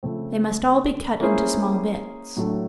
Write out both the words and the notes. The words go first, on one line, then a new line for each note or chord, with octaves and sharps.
They must all be cut into small bits.
C#3 F3 A3 C4
A#3 C#4 E4 G#4 C5
A2 F#3 A3 D4